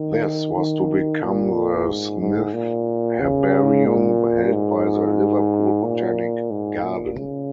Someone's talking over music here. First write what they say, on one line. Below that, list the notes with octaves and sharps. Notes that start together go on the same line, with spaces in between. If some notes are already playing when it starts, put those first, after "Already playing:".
This was to become the Smith Herbarium held by the Liverpool Botanic Garden.
Already playing: D#3
D#3
A#2
G#2
G#2
A#2
C#3
A#2
G#2
A#2
G#2
A#2
C#3